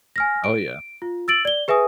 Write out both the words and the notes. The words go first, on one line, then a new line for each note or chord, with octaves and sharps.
Oh, yeah.
G#5 F6 A#6
D7
F4
E6 A6 D7 F#7
D5 G7
G#4 B4 E5 G#5 D#6